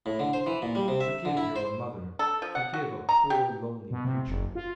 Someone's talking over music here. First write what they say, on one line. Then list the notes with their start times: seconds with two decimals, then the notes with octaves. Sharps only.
Forgive your own mother--forgive a poor lonely creature!
0.06 A2
0.19 D3
0.33 C5
0.46 E3
0.62 A#2
0.75 G3
0.88 C3
1.00 E5
1.25 D3
1.37 E4
1.56 C5
2.19 A4
2.42 F3
2.55 F#5
2.73 F#4
3.09 A#5
3.30 G4
3.91 B2
4.05 C3
4.28 F#1
4.55 F4